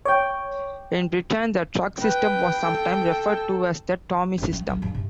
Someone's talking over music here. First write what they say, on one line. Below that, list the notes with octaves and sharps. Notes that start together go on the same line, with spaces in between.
In Britain the truck system was sometimes referred to as the Tommy system.
C#5 G5 D6
B4 G5
A4
C3 C#4
F3
D3 F#3
G2 A#3
C3